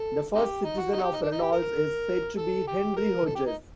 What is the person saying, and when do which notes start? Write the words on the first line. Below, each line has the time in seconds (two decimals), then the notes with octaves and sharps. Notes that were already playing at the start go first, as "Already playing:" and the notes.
The first citizen of Reynolds is said to be Henry Hodges.
Already playing: A4
0.35 C4 D#4 G4
0.64 D#4
0.78 F#4
0.92 D#4
0.98 F#4
1.03 G4
1.13 D#4
1.22 D4
1.32 D#4
1.42 G4
1.52 A#4
2.38 A4
2.67 G4
2.96 A#4
3.26 A4
3.35 G4
3.46 D#4